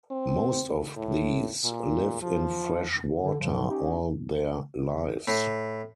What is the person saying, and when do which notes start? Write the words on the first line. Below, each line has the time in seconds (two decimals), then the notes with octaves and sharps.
Most of these live in fresh water all their lives.
0.11 C4
0.97 A2
1.64 A#2
2.22 F3
3.22 D3
3.39 G2 C#3 F3 F#3
3.69 C#4 D#4 G4
5.28 A2